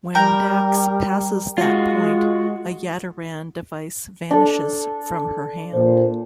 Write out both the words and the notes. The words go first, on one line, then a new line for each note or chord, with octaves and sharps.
When Dax passes that point, a Yaderan device vanishes from her hand.
G3 A#4 G5
G#3 F4 F#4
D4 A4
A#2 C5